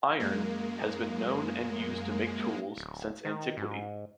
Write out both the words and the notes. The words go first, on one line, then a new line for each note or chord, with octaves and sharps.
Iron has been known and used to make tools since antiquity.
F#2 G#3 A#3
D1
D#3
G#2